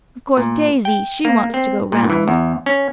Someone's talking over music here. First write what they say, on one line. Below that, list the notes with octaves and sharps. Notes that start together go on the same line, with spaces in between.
Of course Daisy--she wants to go round.
A#2
G5
A#3
C4
A#2
E3
E2
C#4